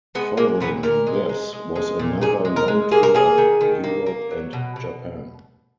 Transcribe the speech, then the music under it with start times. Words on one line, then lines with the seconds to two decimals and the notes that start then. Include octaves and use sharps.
Following this was another long tour of Europe and Japan.
0.15 G#3 B3
0.37 G#3 A#3
0.60 A#2 B3
0.83 A#2 A#4
1.07 G#3
1.29 G#3
1.53 G#3
1.76 G#3
1.99 A#2
2.21 A#2 G#4
2.45 G#3
2.56 A#4
2.68 G#3
2.91 A#3 G#4
3.03 A#4
3.15 A#3 G#4
3.38 D#3
3.61 D#3
3.84 A#3
4.06 A#3
4.31 F#3
4.53 B2
4.76 B2